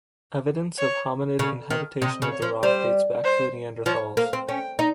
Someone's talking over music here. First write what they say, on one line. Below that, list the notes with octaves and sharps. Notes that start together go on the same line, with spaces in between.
Evidence of hominid inhabitation of the Rock dates back to the Neanderthals.
C#5
C#3
D#3
C3 D#5
C#3
C#5
F3
G3 C5
C5
F3 C#5
A#3 F5
C4
C#4 G5
D#4